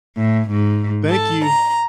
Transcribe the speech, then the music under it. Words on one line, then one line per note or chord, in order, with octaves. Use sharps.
Thank you.
A2
G#2
A4
A#5